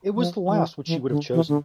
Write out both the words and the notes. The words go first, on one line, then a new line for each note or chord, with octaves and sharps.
It was the last which she would have chosen.
F3
F3
E3
E3
D3
E3
D3